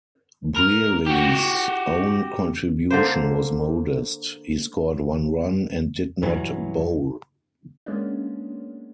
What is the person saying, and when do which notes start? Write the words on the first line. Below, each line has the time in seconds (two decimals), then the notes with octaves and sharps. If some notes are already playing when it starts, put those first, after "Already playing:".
Brearley's own contribution was modest: he scored one run and did not bowl.
0.56 A#4
1.06 F#4 G4
2.90 D3 A#3 C5
6.22 B1 G2 E3 F#3
7.86 G#3 A#3 B3 C#4 D4